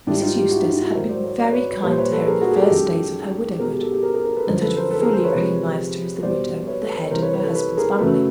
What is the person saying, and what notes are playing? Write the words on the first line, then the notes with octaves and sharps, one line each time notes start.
Mrs. Eustace had been very kind to her in the first days of her widowhood, and had fully recognised her as the widow of the head of her husband's family.
G#2 D#3 G3 D4 E4
D#4 F4
F4 G4
E4 F#4
D#4 F4
D#4 F4
E4 F#4
G#2 D#3 F#3 A#4 C5
C5 D5
C#5
D5
B4 C#5
A#2 G3 B4 C#5
C5
B4 C#5
A4 B4
G#4 A#4
F#4 G#4
G#4
G4 A4
F#2 D#3 G#3
B2 G#4 A#4
G#3
G4 A4
G4 A4
G4 A4
G#4 A#4
G#4 A#4
G#4 A#4
A4 B4
F#2 D3 F3 A#4 C5
A4 B4
A#4 C5
A4 B4
G#4 A#4
A#4 C5
B4 C#5
C3 F3 G#3
B2 G3 C5 D5
B4 C#5
A4 B4
B4 C#5
C3 E3 G3 A#4 C5
B4 C#5
B4 C#5
A4 B4
A4 B4
G#4 A#4
F#2 C#3 F#3 A3 A4 B4